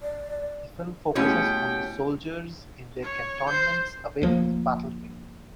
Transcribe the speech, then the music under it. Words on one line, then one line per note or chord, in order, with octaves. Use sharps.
The film focuses on the soldiers in their cantonments away from the battlefield.
D5
B2 G3 A3 C#4 E4 G4 G#4 G5
C#5
C5 G6
D2 F3 A#3